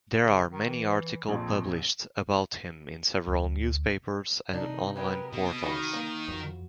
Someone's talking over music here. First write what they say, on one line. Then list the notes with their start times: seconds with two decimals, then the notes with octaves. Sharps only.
There are many article published about him in several newspapers and online portals.
0.22 C#3
0.51 D#3
0.69 E3
1.28 A#1 F2 C4
3.27 D2
4.53 C3 D4 D#4
4.96 F#3 G#3 G4 A#4 B4
5.33 B2 D#6
5.63 D#3 F#4 A#5 B5
5.93 A#3
6.28 F2 F#4